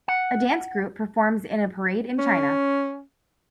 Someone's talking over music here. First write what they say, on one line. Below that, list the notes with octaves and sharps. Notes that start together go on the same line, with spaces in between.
A dance group performs in a parade in china.
F#5
C#4